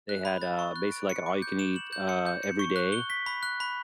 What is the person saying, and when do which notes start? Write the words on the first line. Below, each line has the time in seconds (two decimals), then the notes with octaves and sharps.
they had, uh, basically like an all-you-can-eat, uh, every day,
0.09 F#6
0.25 B5
0.41 A6
0.59 C#6
0.76 F#6
0.92 D7
1.10 C#7
1.26 D6
1.42 G6
1.59 E7
1.76 F#7
1.93 G6
2.09 C#7
2.26 G6
2.43 C#7
2.59 C#6
2.76 F#6
2.92 G7
3.10 B6
3.26 B5
3.43 F#6
3.60 B5